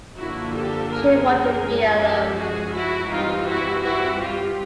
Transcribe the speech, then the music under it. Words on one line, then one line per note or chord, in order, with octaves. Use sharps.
She wanted to be alone.
D3 F3 A#3 D4 E4 F#4
G4 A4
G#4 A#4
F3 G#3 C#4
G4 A4
F#4 G#4
E4 F#4
E3 G3 C4 D#4 F4
E4 F#4
E4 F#4
F4 G4